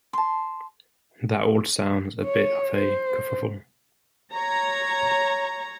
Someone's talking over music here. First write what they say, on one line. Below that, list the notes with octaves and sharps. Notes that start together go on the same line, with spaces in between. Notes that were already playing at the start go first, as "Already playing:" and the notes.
That all sounds a bit of a kerfuffle.
A5 C6
C#5
C5
C#5 A#5